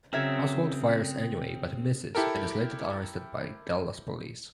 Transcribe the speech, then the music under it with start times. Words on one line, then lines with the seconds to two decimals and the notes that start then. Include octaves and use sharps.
Oswald fires anyway, but misses, and is later arrested by Dallas police.
0.13 C#3 F#3 C4 A#4 E5 G#6
2.15 E4 G4 A4 A#4